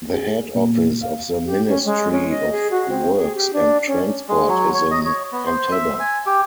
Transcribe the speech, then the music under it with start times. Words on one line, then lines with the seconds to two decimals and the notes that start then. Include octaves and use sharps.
The head office of the Ministry of Works and Transport is in Entebbe.
0.13 G#4
0.55 A#2
1.01 F5
1.46 G4
1.68 C#4
1.85 G#3
2.12 C#4
2.30 D#5
2.52 G#4
2.71 F#4
2.89 C4
3.16 G#4
3.35 G4
3.53 D4
3.87 C#4
4.29 G#3
4.48 F#3
4.74 C#5
4.91 D#5
5.06 C#5
5.32 B3
5.46 C5
5.71 E5
6.00 G#5
6.26 G4